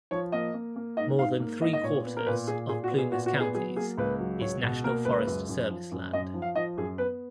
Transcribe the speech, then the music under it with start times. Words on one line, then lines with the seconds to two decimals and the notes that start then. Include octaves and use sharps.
More than three-quarters of Plumas County's is National Forest Service land.
0.11 F3 C#5
0.32 A#3 D#5
0.54 A#3
0.76 A#3
0.97 G#2 D#5
1.19 G#2 F5
1.40 A#3
1.62 G#2 D#5
1.73 D#5
1.83 A#2 C#5
2.05 B3
2.17 A#4
2.26 A#2 B4
2.47 A#2 G#4
2.69 A#2 G#4
2.84 F#4
2.90 B3
2.98 G#4
3.12 A#2 F#4
3.26 F#4
3.33 B3
3.40 G#4
3.55 F#3 G#4
3.76 A#3 G#4
3.98 C#2 B4
4.19 F#3
4.41 C#2 C#5
4.63 B2
4.84 A#3 A#4
5.05 C#2 B4
5.27 F#2
5.49 F#2
5.70 F3
5.91 F#2
6.13 F#2 D#5
6.34 F3
6.42 F5
6.55 F3 D#5
6.77 F#2 G#4
6.98 B3 B4